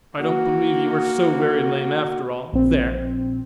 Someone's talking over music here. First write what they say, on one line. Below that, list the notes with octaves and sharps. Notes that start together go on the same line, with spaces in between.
"I don't believe you were so very lame after all--there!"
A#3 F#4
A#1 C4